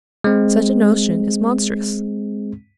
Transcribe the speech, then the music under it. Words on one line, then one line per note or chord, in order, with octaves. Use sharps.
Such a notion is monstrous.
G#3 C4